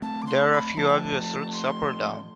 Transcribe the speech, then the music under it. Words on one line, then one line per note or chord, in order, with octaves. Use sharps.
There are few obvious routes up or down.
A3 C4 A5
D6
C6
A5
B5
F3 A3 A5
G5
A5
C6